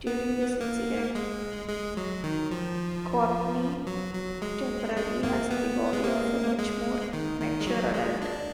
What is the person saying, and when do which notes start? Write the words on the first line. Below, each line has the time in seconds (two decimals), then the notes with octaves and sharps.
During this incident, Courtney temporarily has the body of a much more mature adult.
0.07 B3
0.61 A#3
1.15 G#3
1.69 G#3
1.97 F#3
2.24 D#3
2.51 F3
3.87 F#3
4.14 F#3
4.42 G#3
4.96 G#3
5.23 A#3
5.51 B3
5.93 G#3
6.04 A#3
6.59 G#3
7.13 D#3
7.41 D#3
7.61 G#3
7.67 F#3
7.94 G#3
8.22 D4